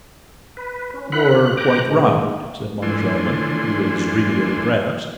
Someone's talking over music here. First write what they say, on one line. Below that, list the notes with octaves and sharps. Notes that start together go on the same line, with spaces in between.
"You're quite right," said Moncharmin, who was really impressed.
B4
C#4
E4 B4 F#5 B5 F#6
C#3 F4 F#6
G5 A#5 D6 F#6
A#2 D#3 G#3
E3 F3 A3 D4 G#5 C6